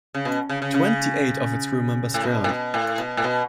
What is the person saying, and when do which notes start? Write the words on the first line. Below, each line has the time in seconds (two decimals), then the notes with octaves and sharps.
Twenty-eight of its crew members drowned.
0.14 C#3
0.25 B2
0.49 C#3
0.62 C#3
0.74 C#3
2.14 A2
2.23 B2
2.44 A2
2.49 B2
2.74 A2
2.98 B2
3.17 A2
3.24 B2